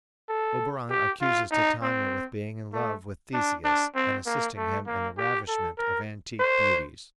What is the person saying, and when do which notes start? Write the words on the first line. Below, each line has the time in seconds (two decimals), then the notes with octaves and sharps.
Oberon accuses Titania with being in love with Theseus and assisting him in the ravishment of antique beauties.
0.29 A4
0.90 G4
1.21 F4
1.51 D#4
1.82 C4
2.73 A3
3.33 D4
3.64 D4
3.95 C4
4.26 A#3
4.56 A3
4.86 A#3
5.17 G4
5.47 A4
5.78 A#4
6.39 C5